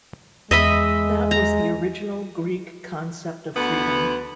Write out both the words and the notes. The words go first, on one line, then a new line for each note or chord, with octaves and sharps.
That was the original Greek concept of freedom.
E2 G#3 D#5 E5 B5
A#5
D2 B3